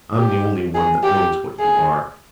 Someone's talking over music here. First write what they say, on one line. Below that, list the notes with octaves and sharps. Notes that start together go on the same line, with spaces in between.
I'm the only one that knows what you are.
G4
G#4
G4
G#4